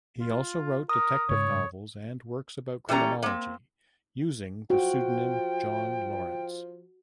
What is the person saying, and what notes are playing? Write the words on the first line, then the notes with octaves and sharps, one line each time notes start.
He also wrote detective novels and works about criminology using the pseudonym John Laurence.
F4
A#4 D#6
G#2 C#3 C#5
E3 G3 A3 C#4 A#5
A#3 C4
F3 F#4 G5